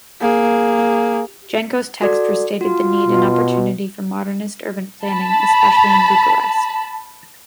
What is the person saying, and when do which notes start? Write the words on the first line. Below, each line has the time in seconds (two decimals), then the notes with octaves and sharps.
Janco's text restated the need and opportunity for modernist urban planning, especially in Bucharest.
0.21 A#3 G#4
2.02 F#4 A4 D5
2.61 F4 F#4
3.07 B2
5.06 A5 B5